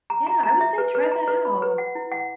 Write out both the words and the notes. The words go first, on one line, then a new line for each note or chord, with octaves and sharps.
Yeah, I would say try that out.
A#5
A#5
A#5
E5
B4
B4
A#5
B4
B5
B4
F#5
E4
F#5